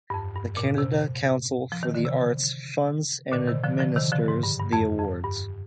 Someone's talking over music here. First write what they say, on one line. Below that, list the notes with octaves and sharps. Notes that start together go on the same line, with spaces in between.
The Canada Council for the Arts funds and administers the awards.
G2
F2
G2
A#2
C3
F3
D#3
D3
C3
A#2 D3
C3 D#3
D3 F3
D3 F3
C3 D#3
D3 F3
G#2
G2
G2
F2
F2
G2